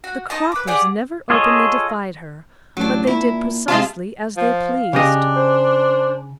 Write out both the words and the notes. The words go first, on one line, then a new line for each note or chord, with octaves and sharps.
The Croppers never openly defied her, but they did precisely as they pleased.
F#4
D#4 D#5 A5
B4 D6
G4 G#4 D5 F#5
F4 G#4 A4 C#5 D#5
A1 F#3 D4
A#2 E4
C3 G#3 F4 G#4 E5 A5
F3 F5
C#3 D4 G4 D#5
C5